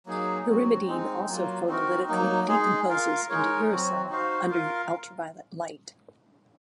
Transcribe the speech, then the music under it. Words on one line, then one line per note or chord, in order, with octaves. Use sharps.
Pyrimidine also photolytically decomposes into uracil under ultraviolet light.
F#3 A#3 D#4 G#4
F#3 C4 F#4
G#3 C4 D#4
F#3 A#3 F4
C4 D#4 F#4 A#4
F#3 A#3 D#4
G#3 D#4 G#4
F4 A#4 F5
G#3 D#4 A#4 C#5
F#3 C4 F#4
D#4 F#4 C5 F5
F4 A#4 F5